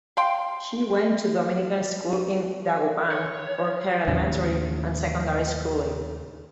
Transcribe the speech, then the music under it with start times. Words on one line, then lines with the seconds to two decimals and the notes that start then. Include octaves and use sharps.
She went to Dominican School in Dagupan for her elementary and secondary schooling.
0.17 F5 G5 C6
3.11 C#5
4.07 D#2 A2 C#3 F#3